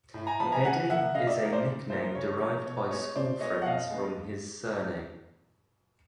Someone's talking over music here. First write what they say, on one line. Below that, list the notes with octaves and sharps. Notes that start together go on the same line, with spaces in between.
"Eddie" is a nickname derived by schoolfriends from his surname.
A2
G#5 A#5
F3 G#3 B3 A5 B5
G#5 A#5
C#3 F#5 G#5
F3 A#3 E5 F#5
C#3 D#5 F5
D5 E5
F3 A#3
C5 D5
C#3
F3 A#3 C5
C#3 C#5
F3 A#3 C#5
B2 C#5
G#3 B3 C#5
B2 C5 D5
G#3 B3 C#5 D#5
F#5
B2 D#5 F5
G#3 B3